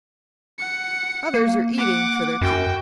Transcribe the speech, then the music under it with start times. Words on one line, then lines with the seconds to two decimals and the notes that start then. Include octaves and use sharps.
"Others are eating for their keep."
0.59 F#5 C#7
1.34 A#3
1.78 F#5 D6
2.41 F#2 F#4 G5